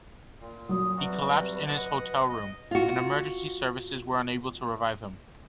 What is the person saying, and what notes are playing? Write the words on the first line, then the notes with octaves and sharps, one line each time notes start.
He collapsed in his hotel room, and emergency services were unable to revive him.
A#2
F#3 D#6
C3 G3 F#4 B4
D#5 F#5
D#5
F4 F#4